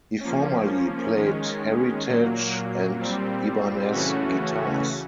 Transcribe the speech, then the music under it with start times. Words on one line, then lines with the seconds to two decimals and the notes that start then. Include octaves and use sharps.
He formerly played Heritage and Ibanez guitars.
0.20 F3 A#3 C#4
1.14 D#3 G#3 C#4
2.06 A#2 F#3 A#3
2.99 A#2 G3 C4
3.92 C#3 E3 A3 C#4 F#4